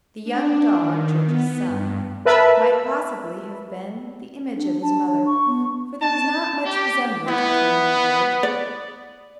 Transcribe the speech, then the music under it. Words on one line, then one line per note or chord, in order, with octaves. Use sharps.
The young dog, George's son, might possibly have been the image of his mother, for there was not much resemblance between him and George.
D4
D#3
B3
G2
A#4 B4 E5 A5 B5 E6
D4
D4 A5
C#5
C#6
B3
A5
G4
B3 E4
D5